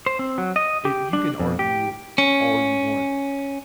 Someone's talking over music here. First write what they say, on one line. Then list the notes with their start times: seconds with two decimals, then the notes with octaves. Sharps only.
i you can argue all you want
0.06 C5
0.19 C4
0.38 F#3
0.56 D#5
0.85 G4
1.13 D4
1.39 F2
1.59 G4
2.18 C#4